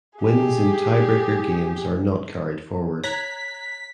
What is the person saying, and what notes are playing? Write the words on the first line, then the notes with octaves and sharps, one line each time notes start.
Wins in tiebreaker games are not carried forward.
G4 G#4
C#5 A#5 F#6 G#6 B6